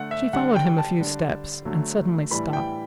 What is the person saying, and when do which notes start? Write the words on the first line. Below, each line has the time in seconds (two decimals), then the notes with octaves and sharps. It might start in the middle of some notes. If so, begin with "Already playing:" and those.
She followed him a few steps, and suddenly stopped.
Already playing: D3 A3 F#5
0.11 E5
0.33 D3 G3 F#5
0.56 G5
0.78 A5
1.00 D3 G3
1.65 D3 F#3 A3
2.30 A2 E3 G3 B5
2.53 G5